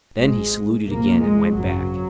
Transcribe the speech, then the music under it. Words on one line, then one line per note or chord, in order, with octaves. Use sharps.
Then he saluted again and went back.
G#1 G#2 G#3
C2 A#2 A#3
G#3
G#1 F#2 C#3 F#3